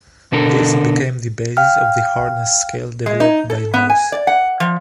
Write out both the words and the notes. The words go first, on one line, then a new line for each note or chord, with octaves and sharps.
This became the basis of the hardness scale developed by Mohs.
B2 D3 A4 A#4
F5 G5 F6
G#3
D#4
A4
B3
G#5
D5
F#5
F3